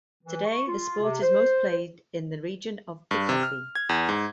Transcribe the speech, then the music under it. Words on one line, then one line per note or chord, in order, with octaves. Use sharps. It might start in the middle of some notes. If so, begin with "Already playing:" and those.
Today, the sport is most played in the region of Picardy.
E3
C#6
F4
C3
C5
G2
C3
F6
G#6
E2
G#2